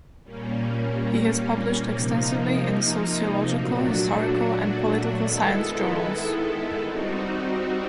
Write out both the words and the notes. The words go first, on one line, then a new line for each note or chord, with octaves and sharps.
He has published extensively in sociological, historical and political science journals.
A#2 G3 A#3 C#4
C3 F3 A#3 D#4
A#2 F#3 A3 D4 F#4
D#3 G#3 B3 E4 A4
G3 C4 D#4 F#4